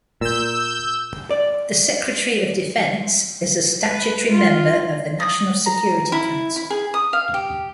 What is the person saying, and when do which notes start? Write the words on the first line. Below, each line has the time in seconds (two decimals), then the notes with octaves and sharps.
The Secretary of Defense is a statutory member of the National Security Council.
0.21 A#2 E6 G6
1.31 D5
3.85 B4
4.33 F4
5.20 D#6
5.66 A#5
6.12 E4
6.56 E4
6.70 G#4
6.94 D#6
7.13 F5
7.34 G4